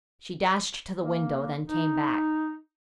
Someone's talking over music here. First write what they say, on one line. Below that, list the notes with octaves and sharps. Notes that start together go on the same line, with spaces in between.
She dashed to the window, then came back.
A#3
D#4